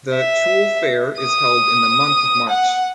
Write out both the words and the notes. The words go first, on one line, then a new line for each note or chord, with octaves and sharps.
The Chul fair is held in the month of March.
E5
D#6
F#5